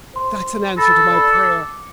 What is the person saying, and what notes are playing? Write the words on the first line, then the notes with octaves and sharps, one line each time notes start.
That's an answer to my prayer.
C5 C6
A4 B5 A6 A#6
D5 A5 B5
D6 C#7